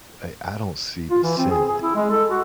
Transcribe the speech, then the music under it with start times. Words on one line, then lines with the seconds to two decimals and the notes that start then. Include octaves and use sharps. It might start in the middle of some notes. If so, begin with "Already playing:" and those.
a I don't see the sin in it.
1.10 F4
1.23 E3
1.38 C4
1.51 G#4
1.68 G#4
1.83 E4
1.95 G#3
2.10 A4
2.30 F#4